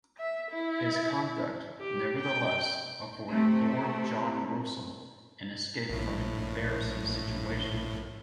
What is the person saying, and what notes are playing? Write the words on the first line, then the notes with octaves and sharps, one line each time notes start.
His conduct, nevertheless, afforded Lord John Russell an escape from an embarrassing situation.
E5
E4
G4
G5
C3 A3
A#1 A2